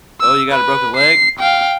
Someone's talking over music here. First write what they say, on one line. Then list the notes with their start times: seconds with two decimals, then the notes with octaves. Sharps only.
"Oh, you got a broken leg?"
0.21 E6
0.52 B4
0.97 C7
1.39 F5 G5